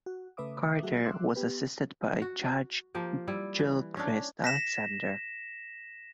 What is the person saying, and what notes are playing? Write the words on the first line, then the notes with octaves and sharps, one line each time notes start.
Carter was assisted by Judge Gilchrist Alexander.
F#4
C#3 A3 B4 E5 D6 D#6
F#3 A3 F#4 G#4 E5 F#5
E5 C6 D6 E6 F#6
B3 G4 B4
F#4
F3 A#3 G4
G3 E4
E3
C#4 D4
A#6 B6 E7